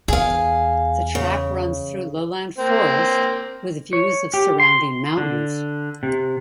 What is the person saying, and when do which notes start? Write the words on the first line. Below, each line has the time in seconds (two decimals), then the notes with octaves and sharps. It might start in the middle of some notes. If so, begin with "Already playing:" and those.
The track runs through lowland forest, with views of surrounding mountains.
0.08 E2 G#4 F5
1.15 C#3
2.58 A#3 C4
3.93 C#5
4.34 G4
4.60 C6
5.17 D3
6.03 C3